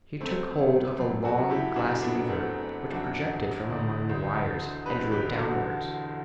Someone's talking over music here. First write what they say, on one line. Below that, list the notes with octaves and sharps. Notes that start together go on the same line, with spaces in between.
He took hold of a long glass lever which projected from among the wires, and drew it downwards.
F#1 A3 C4
F#1
F#2
F#4 A4
F#1
E4 G4
F#1 D4 F#4
B3 D4
F#1
A3 C4
F#1
F#2 D4 F#4
E1
D2
D2
D3
E1 G4 B4
G4 B4
D3
F#4 A4
E1